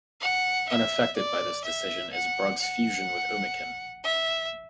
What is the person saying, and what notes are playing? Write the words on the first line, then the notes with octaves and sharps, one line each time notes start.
Unaffected by this decision is Brugg's fusion with Umiken.
F#5
E5
D5
E5
F#5
F#5
E5